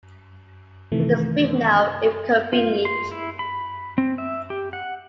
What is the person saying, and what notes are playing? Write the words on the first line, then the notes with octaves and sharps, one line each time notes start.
We can speak now, if convenient.
C3 D#3 E3 A3
F4
C6
E4
B5
C4
E5
G4
F#5